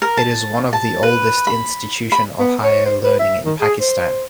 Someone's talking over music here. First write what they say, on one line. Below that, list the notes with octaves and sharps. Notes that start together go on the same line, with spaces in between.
It is one of the oldest institution of higher learning in Pakistan.
A#4
A5
A5
B4
B5
B5
B3
C#5
C5
B4
E5
D#3
G#4
C5